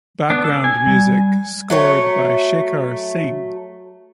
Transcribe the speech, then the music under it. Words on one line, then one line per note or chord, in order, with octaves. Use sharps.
Background music scored by Shekhar Singh.
B3 D4
A4
G#5
G3
F#3 A3 C#5